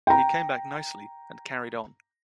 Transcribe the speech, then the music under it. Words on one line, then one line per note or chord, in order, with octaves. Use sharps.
He came back nicely and carried on.
G5 A#5